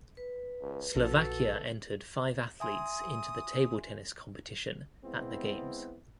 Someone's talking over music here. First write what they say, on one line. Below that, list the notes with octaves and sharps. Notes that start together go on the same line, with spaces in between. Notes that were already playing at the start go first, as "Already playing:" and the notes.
Slovakia entered five athletes into the table tennis competition at the games.
B4
C#2
A#1 F#4 A4
E5 G#5 C6 D#6
G#3 B3 C4 E4